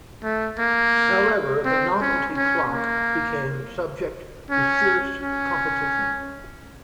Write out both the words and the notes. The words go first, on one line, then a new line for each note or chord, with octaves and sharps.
However, the novelty clock became subject to fierce competition.
A3
A#3
C4
C#4
C#4
A#3
C#4
C#4